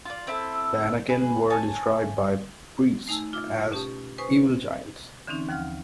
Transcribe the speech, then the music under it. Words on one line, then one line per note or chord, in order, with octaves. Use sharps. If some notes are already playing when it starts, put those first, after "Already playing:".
The Anakim were described by priests as evil giants.
F4 D5
C4 E4 A4
G#4 B4
C#5 G#5 A5
A3 D#4 G#5 A5 E6
F4 D6 E6
B2 C#4 G4 A5 D#6
B4 C5 G#5 C#6 D#6
D3 E3 C4 C#4 D#4
D#2 F3 F#5 F6